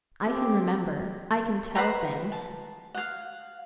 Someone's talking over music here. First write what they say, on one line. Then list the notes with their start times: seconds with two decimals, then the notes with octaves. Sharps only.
I can remember; I can tell things!
0.24 C4 G4
1.75 B4 C5 F#5 A#5
2.32 A5
2.95 F5 F#5